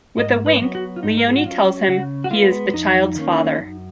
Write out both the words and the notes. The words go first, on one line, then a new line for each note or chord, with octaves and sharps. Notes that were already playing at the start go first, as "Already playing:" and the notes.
With a wink, Leonie tells him he is the child's father.
G#2 D#5
B4
F#3 B3
F#4
F4
G#2 D#4
A#4
G#4
F#4
F#3 C#4 F4
C#3 F#4
F#4
G#3 B3 F4
F2 D#4
D#3 A#3 C#4
F#2